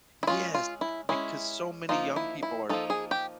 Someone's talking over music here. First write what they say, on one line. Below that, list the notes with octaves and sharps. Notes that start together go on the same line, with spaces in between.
Yes, b because so many young people are
E4
G#3 C#4 F4
F4
E4
G#3 C#4 E4
F3 A#3 D#4 F4
E4
E4
F3 A#3 D#4 A4
G#4
G4